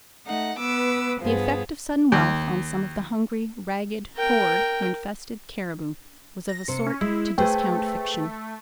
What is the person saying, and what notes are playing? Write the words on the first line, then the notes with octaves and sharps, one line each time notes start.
The effect of sudden wealth on some of the hungry, ragged horde who infested Cariboo was of a sort to discount fiction.
A3 D#4 F#5
B3 B4 D6 E6
G2 F3 B3 G#4
D#2
A#4 G5
A#6
C3 C5 C#7
C#4
G#3 E4
A3 G#4 B4 C5 G5